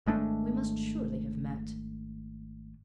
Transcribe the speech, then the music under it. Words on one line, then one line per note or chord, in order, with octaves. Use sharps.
'We must surely have met.
G#1 G#3 A3 D4